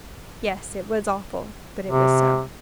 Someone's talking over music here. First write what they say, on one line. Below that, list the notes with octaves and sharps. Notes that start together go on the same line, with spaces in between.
Yes, it was awful, but it was so.
C3